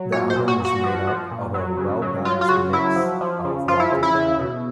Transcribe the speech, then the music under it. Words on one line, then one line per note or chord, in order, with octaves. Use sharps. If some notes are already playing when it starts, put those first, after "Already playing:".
The album is made up of a well-balanced mix of rock and mellow.
Already playing: F#3
A#2 C#5
C5
A#2
F#4
A#2 F#4
F3
F3
A#2
F#3
C#3
F#3
F#3 F4
F4
C#3 F#4
F#3 E4
F3
F3
C#3
F3 F4
E4
C#3
E4
C#3
B2